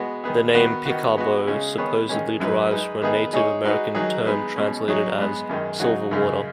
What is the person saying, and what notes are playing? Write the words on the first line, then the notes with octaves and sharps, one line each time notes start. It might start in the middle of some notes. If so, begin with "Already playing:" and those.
The name "Picabo" supposedly derives from a Native American term translated as "silver water".
Already playing: G#3 B3 F#4
D#3 B3 G#4
D#3 B3 F#4 B4
D#3 B3 F#4
G#3 B3 F#4
C#3 G#3 C#4 G#4
D#3 B3 G#4 C#5
D#3 G#3 C#4
F#2 F#3 D#4 B4
G#3 D#4 B4
D#3 B3 D#4 G#4 B4
G#3 D#4 G#4 C#5
G#3 D#4 F#4 B4
D#3 F#3 D#4 G#4
G#3 B3 D#4 B4
B2 G#3 C#4
F#3 D#4 G#4 C#5
G#2 G#3 B3
F#2 D#3 G#3
C#3 F#3 D#4 F#4
F#2 C#3 G#3